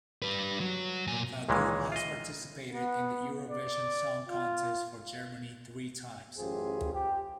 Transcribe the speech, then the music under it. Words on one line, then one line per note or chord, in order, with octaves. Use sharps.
The group has participated in the Eurovision Song Contest for Germany three times.
G3 B4
F#3
A#2 G#5
C#2 A#2 D#3 E3 G#3
F4 D#5
B3
D5
F4
A1 F#2 F4 G4 G#4 C5
G4